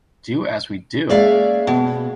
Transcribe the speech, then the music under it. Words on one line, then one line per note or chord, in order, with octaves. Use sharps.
Do as we do?
G#3 A#3 C#4 D5 E5 F5
B2